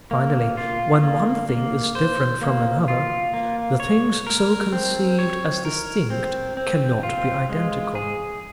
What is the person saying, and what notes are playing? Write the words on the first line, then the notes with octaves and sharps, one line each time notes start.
Finally, when one thing is different from another, the things so conceived as distinct cannot be identical.
A#3
F4
A#3
A#3
C5
A#3
F4
A#3
C#5
A#4
C4
C#5
A#4
C4
C4
F4
G#3
G#4